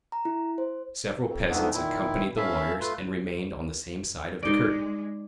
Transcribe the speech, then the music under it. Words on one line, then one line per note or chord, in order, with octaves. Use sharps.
Several peasants accompanied the lawyers and remained on the same side of the curtain.
A#5
E4
C5
F2
F2 G#2 G#3 A3 B3 D4
A#2 D#3 E4
C#4 E5 F5 A5 B5
A3 F4 B4 C6
G#3 D#4 D5